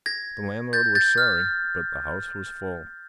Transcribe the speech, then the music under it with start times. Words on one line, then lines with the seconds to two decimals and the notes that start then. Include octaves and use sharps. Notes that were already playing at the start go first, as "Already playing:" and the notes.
The landlord was sorry, but the house was full.
0.06 G#6 A#6
0.73 G6 A6
0.95 G6 A6
1.18 F6